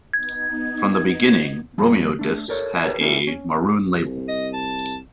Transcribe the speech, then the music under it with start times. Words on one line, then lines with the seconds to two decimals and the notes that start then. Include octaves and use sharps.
From the beginning, Romeo discs had a maroon label.
0.13 B3 D#4 G#6
1.78 F2 G3 A#3 A5
2.19 A3 D4
2.48 G4 A4 A#4 C#5
2.84 G4 A#4 B4 C#5 A5
3.01 B3 C#4 E4 G4 G#4 A#4
3.27 C#4
3.93 C2
4.28 D#5
4.53 A5